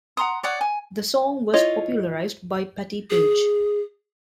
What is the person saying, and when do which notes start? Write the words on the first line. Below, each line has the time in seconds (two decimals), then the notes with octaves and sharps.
The song was popularized by Patti Page.
0.17 F#5 A#5 C6 D#6
0.43 C#5 D5 F#5 D#6
0.61 G#5
1.54 E4 F4 C#5 D#5
3.10 G#4